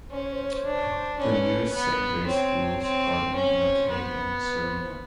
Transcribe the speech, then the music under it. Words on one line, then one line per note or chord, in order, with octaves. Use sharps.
The nearest secondary schools are in Mackay and Sarina.
C#4 C5
C#5
C5
C#5
C5
D4 C#5
C5
C#5
C5
C#4 B4
B3
C4 C#5
C4
C#4 C5
C#5
C5
B3
B4
C5
C5